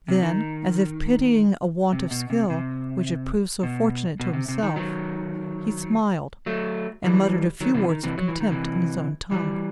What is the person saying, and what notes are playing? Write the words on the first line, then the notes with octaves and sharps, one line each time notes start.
Then, as if pitying a want of skill which had proved so fortunate to himself, he smiled, and muttered a few words of contempt in his own tongue.
C3
D#3
C3
B2
C3
C3
B2
B2
C3
C3
D#3
D#3 F#3
F#3 A3
E3 G3
D#3 F#3
C3 E3
D#3
C3 E3
F#3
E3
D#3
C3 E3
E3 G3